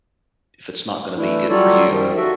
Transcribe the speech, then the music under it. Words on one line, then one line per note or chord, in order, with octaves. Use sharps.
if it's not gonna be good for you.
E3 A3 D4 E4
F#3 G3 F4 A4 C#5 D5
F#2 D#3 F3 G3
F#4 A4 E5